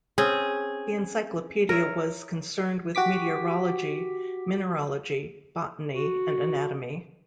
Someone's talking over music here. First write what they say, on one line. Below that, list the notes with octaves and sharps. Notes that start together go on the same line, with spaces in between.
The encyclopedia was concerned with meteorology, mineralogy, botany, and anatomy.
C4 C#4 G#4
A#4 C#5 E5
F#4 G4 D6 B6
F#4